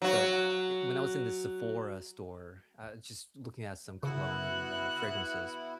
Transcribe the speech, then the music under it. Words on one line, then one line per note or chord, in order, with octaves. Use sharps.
but, eh, when I was in the Sephora store, uh, just looking at some cologne and, uh, fragrances,
F#3 F#4
C#3 B3 E4 F#4 F#6